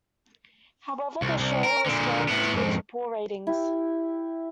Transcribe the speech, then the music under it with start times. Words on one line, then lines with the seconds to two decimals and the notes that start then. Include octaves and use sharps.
However, the show was cancelled due to poor ratings.
1.22 C2
1.39 C2
1.64 A#4
1.86 A#2 D3
2.28 A2 B3
2.54 F2 G#2
3.47 E4 G4